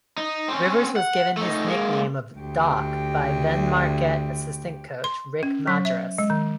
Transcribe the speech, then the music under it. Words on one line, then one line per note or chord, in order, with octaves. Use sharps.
Rivers was given his nickname of "Doc" by then-Marquette assistant coach Rick Majerus.
D#4
C4 C#4
F#5
A3 D#4
G#3 A#3
D2 G4
C6
C#4
F#3
E5
G#3
D#3